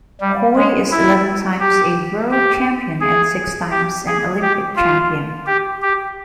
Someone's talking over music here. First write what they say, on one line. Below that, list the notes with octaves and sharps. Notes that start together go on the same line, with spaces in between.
Hoy is eleven-times a world champion and six-times an Olympic champion.
G3
G#3
E4
G4
G4
G#4
G4
G#4
G4
F4
G4
G4